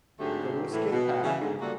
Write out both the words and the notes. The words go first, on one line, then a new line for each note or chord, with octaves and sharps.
go to a skid pad.
G#2 D3 F#3 A3 C4 G4
A2 E3
B2
C#3 E3
G#2 D3
A#2 G3 A#3 D4 F#4 A4